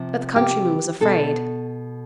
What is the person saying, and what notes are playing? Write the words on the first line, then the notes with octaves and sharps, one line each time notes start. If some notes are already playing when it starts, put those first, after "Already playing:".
But the countryman was afraid.
Already playing: C3 F3
G4
B2 A4